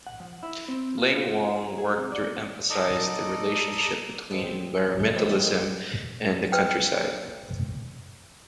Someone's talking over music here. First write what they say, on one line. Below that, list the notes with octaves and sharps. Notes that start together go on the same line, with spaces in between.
Ling Wong worked to emphasise the relationship between environmentalism and the countryside.
F#5
F3
E4
C4
F4
F4
G#4
G#4
C3
D5
D#2
D#4 A4 D5 D#5
F3 G#3 B3 A4
C4
A#1
G#3
E3 F3 G#3 C4 E4 F#4
F#3 G3 A#3 B3 D#4 F4
B4 G5